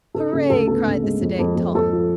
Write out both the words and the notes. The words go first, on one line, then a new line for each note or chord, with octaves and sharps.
"Hooray," cried the sedate Tom.
C#3 A4
C#3 A4
D2 A4
B3 A4
C#3
G#3
F2
F2
F2
F2 A4
F3